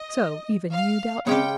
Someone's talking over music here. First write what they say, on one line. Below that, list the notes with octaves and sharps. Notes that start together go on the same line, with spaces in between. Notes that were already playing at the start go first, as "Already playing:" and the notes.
"So, even you doubt me?"
Already playing: D#5
F5
C#3 G#3 C#4 G4 G5